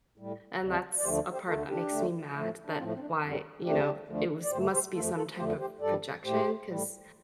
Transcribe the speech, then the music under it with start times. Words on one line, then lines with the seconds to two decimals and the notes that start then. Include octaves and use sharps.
and that's a part that makes me mad that why, you know, it was must be some type of projection 'cause
0.18 A2 G3
0.61 D2 C3 G3
0.98 D5
1.04 D2 D3 F3 A3 G4 C5
1.33 G4 C5
1.47 D2 D3 A3 F4 A4
1.69 D4 G4
1.91 D2 D3 A3
2.34 A2 F3 A3
2.65 D4
2.77 A2 F3 A3 C4 F4
2.95 C4
3.00 D4
3.21 F2 D3 G3
3.64 D2 C3 F3 A3 D4 G4
4.08 D2 D3 F3 A3
4.44 D5
4.51 G2 D3 A3 G4 C5
4.72 G4 C5
4.94 F2 F3 A3 F4 A4
5.16 F4 A4
5.38 F2 D3 F3 A3 G4 C5
5.59 G4 C5
5.81 G2 G3 A4 D5
6.24 A2 A3 G4 C5
6.68 A2 G3